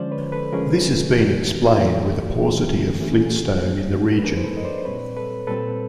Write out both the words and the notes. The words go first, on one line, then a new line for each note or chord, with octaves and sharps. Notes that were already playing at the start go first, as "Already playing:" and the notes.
This has been explained with a paucity of flintstone in the region.
Already playing: D3 F3 G#3 C#4 C5 D5
B4 C#5
A4 B4
D3 F3 G#3 C#4 G#4 A#4
E3 A3 D4
E3 A3 D4 G4 A4
E3 A3 C#4
E3 A3 C#4 G#4
A4
F#4 G#4
F3 A#3 D4
B4
F3 A#3 D4 G#4 A#4
C5
A4 B4
D#5
C5 D5
C5
A#2 G3 C4 B4 C#5
A4 B4
A#2 G3 C4 A4 B4